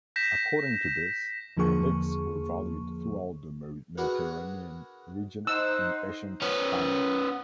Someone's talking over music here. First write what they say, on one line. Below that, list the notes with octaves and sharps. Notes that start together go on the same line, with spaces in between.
According to this, leeks were valued throughout the Mediterranean region in ancient times.
G6 A#6 B6 E7
E2 D3 F3 A#3 G#4 C#6
D4 F#4 G#4 A#4 B4
D#4 C5 F#5 E6
B3 C#4